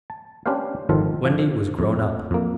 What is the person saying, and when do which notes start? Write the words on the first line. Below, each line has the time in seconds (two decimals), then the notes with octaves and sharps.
Wendy was grown up.
0.10 A5
0.46 C#4 D4 G4 B4 C5 F5
0.89 G#1 D#3 F3 F4 A4
1.25 F3
1.79 F2
2.31 F2 A#3